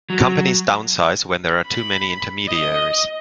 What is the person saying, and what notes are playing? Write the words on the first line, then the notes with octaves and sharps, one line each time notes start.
Companies downsize when there are too many intermediaries.
F#3
B5
D#5